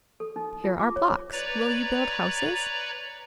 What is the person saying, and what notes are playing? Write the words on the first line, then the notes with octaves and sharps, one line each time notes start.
"Here are blocks; will you build houses?"
A4
D#4
F4
D6
C#5
B4 C#5 D5 A#5